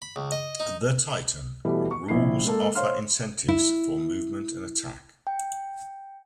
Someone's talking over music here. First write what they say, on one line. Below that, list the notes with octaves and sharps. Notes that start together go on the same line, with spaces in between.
The "Titan" rules offer incentives for movement and attack.
B5
C#2
D#5
D#4
B2 E3 G3 A3
C#6
A#1 E4 C7
G#3 A#3 A4
C5 C#5 F5 C6 F6
E4
G5